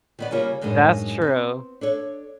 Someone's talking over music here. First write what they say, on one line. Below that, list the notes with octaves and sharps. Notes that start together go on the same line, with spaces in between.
That's true.
D#3 B3 D5
C#3 G3 A#3 F4 C#5
F#2 A2 G#3 D4 D#4
B3 C4
D4 A4 C#5